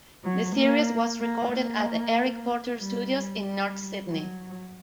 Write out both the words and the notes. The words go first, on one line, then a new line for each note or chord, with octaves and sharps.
The series was recorded at the Eric Porter studios in North Sydney.
F#3
A#3
A#3
A#3
G3
G3
F#3